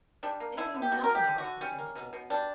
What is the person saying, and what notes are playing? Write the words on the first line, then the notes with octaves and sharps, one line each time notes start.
They see nothing above percentages.'
G3 D4
A#3
D3 E4
D3
G4
G3 F#4
A#4
A#3
G4
D3
F#4
D3
G3 C#4
A#3
B2
B2
G3 D4